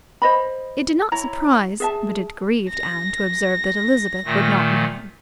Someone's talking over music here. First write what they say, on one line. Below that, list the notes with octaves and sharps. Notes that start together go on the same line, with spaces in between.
It did not surprise, but it grieved Anne to observe that Elizabeth would not know him.
C5 D#5 B5
E4 C#5 A#5
G#4 E5 A5
A#6
A#2 D#3 A3